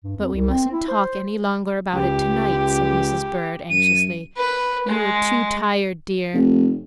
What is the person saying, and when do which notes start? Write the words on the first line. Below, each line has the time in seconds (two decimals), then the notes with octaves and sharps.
"But we mustn't talk any longer about it to-night," said Mrs. Bird, anxiously; "you are too tired, dear."
0.04 G2
0.17 F2
0.34 C2
0.49 C4
0.72 E4
0.88 C5
1.93 C#2 G4
3.70 F#2 D#7
4.37 B4
4.89 G#3
6.33 F1